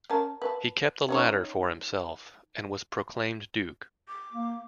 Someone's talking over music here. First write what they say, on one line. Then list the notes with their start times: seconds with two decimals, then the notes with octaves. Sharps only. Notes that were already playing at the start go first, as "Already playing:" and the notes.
He kept the latter for himself and was proclaimed duke.
0.10 C#4 A#4 A5
0.42 B4 A5
1.09 C#4 D#4 C#5
4.08 D6
4.32 A#3